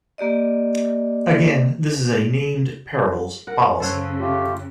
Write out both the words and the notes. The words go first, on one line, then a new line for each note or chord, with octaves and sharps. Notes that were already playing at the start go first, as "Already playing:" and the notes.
Again, this is a "named perils" policy.
A#3 G4 D5 D#5
A#4 F#5
F#2 C#3 A4 C5 C#5 E6 F#6
A3 F4 G4